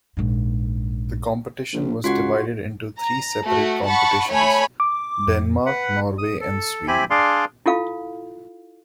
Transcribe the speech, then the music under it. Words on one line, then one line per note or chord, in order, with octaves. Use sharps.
The competition was divided into three separate competitions: Denmark, Norway and Sweden.
A#1 G#2
A#1
C#2 F4 F#4 F#5
A#5
A3 F#4
F#5 A5 B5 C#6
A3 C#5 G#5 B5
D6
F2
B4 F#5
D#6
A4
C4 E4 G4 G#5 B5
D4 G#4 D5 F5 C6
E4 F4 A4 F5